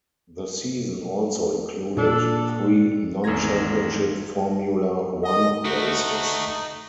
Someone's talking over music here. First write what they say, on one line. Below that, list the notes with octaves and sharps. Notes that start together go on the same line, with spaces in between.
The season also included three non-championship Formula One races.
A#2 D4 A4
G#1 E2 G#4 A#5 G#6 A#6
D#5
A3 D#4 F#4